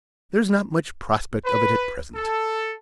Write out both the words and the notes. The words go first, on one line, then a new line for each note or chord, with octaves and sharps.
There is not much prospect of it at present.
B4
A4